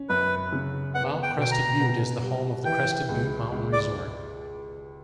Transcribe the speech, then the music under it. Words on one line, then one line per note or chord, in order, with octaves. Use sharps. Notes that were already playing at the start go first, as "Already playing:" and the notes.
Mount Crested Butte is the home of the Crested Butte Mountain Resort.
Already playing: C#4
F#2 B4
C#3
B3 F#5
G5
B2 G5
A#5
B2
G3
E3 G5
C#2
C#2
D5